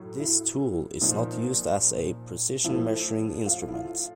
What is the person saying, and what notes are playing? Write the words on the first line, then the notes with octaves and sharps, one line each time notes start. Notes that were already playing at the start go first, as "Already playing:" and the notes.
This tool is not used as a precision measuring instrument.
Already playing: A2 F#3
E4
A#2 F3 D#4
A2 F3 E4
F4
E4
F4